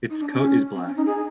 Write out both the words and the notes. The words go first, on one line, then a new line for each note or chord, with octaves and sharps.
Its coat is black.
D#4
D4
C#4
C4
C#4
D#4
G#4